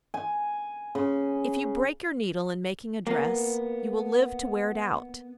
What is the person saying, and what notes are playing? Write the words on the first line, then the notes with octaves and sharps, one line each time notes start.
If you break your needle in making a dress, you will live to wear it out.
G#5
C#3
A#3 B3